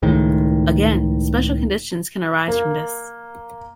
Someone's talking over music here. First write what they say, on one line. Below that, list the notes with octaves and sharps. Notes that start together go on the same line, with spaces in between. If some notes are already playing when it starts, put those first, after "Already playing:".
Again, special conditions can arise from this.
C#2 A2 D#3
A#3